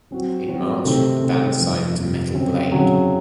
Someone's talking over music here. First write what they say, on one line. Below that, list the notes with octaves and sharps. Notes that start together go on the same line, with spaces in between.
In March, the band signed to Metal Blade.
F#3 C4 F#4
F#3 C4 F#4
C3 D#3 A3 C4
C3 D#3 A3 C4
F2 C3 F3 A#3
F2 C3 F3 A#3
C#3 F#3 C4
C#3 F#3 C4